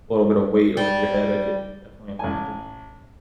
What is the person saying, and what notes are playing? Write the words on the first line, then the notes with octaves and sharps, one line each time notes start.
little bit of weight over your head, I could definitely imagine,
G3
A1 G#5